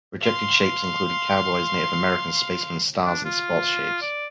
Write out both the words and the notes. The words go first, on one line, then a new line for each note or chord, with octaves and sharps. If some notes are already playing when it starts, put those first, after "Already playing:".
Rejected shapes included cowboys, Native Americans, spacemen, stars, and sports shapes.
F5 C6
D4
F4
D5